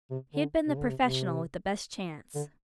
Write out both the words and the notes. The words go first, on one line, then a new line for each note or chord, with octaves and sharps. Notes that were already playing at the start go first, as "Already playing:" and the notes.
He had been the professional with the best chance.
C3
D3
C3
D3
C3
C3
D3